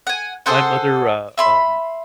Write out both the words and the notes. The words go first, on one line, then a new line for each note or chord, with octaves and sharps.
my mother, uh, um
F#5 G#5
G#4 A4 C5 F#5
E5 B5 C6